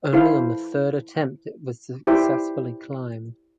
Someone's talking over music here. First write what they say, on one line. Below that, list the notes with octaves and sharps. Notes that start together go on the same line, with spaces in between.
Only on the third attempt it was successfully climbed.
E4 A4 C5 F5
E4 G4 C5 E5